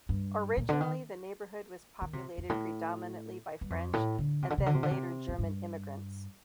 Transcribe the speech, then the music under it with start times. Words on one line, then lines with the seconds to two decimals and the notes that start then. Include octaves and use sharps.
Originally, the neighborhood was populated predominantly by French and then later German immigrants.
0.09 G2
0.57 A#2
0.69 D3
0.81 D#3
2.02 D#3
2.13 C3
2.38 F2
2.49 A2
3.61 G2
3.70 F2
3.93 A2
4.18 D3
4.42 C3
4.50 D3
4.58 C3
4.66 D3
4.74 C3
4.83 D3
4.91 C3
5.28 F2
5.39 G2